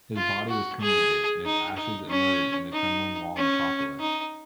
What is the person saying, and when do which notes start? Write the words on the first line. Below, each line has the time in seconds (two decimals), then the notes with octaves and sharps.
His body was cremated and his ashes immured in the Kremlin Wall Necropolis.
0.17 F4
0.49 F#4
0.81 G#4
1.45 D#4
1.76 D#4
2.09 C#4
2.72 D#4
3.36 C#4
4.00 D#4